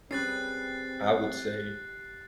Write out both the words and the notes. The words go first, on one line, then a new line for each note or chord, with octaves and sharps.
I would say,
G3 C4 C#4 G#4 B4 F#6 A6 C7